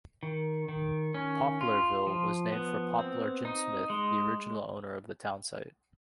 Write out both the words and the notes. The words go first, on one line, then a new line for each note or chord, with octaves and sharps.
Poplarville was named for Poplar Jim Smith, the original owner of the town site.
D#3
D#3
C#4
F4
F3
B3
C4
D#4
G#3